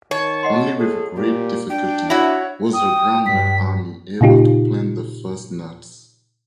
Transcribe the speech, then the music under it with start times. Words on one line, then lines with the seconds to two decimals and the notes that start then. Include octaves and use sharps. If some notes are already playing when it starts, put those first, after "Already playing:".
Only with great difficulty was the Groundnut Army able to plant the first nuts.
0.11 D#3 C#5 A5
0.43 D#5 F#5 C6
0.78 G#4 A4
1.15 A#2 G4
1.70 D4 G5
2.10 E4 F#4 C#5 E5
2.74 G5 D#6
3.26 G2 B6
4.21 A#2 C#3 D#4 F4 G4